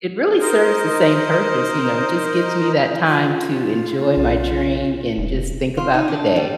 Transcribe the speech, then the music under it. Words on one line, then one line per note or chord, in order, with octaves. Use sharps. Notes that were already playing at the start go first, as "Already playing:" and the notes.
it really serves the same purpose, you know, just gives me that time to enjoy my drink and just think about the day.
D#4 A#4 C5 D#5
F4
B1
E1
F4
D#4
D4
G3